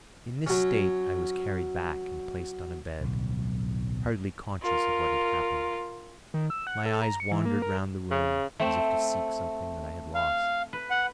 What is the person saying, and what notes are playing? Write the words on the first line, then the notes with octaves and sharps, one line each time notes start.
In this state I was carried back and placed on a bed, hardly conscious of what had happened; my eyes wandered round the room as if to seek something that I had lost.
F#3 C#4
D1 B1
F4 A#4
D#3
E6
F#5
A4
A#5
C#7
E3
A#3
A#4
C#3
A3 C4
F5
B4
F#5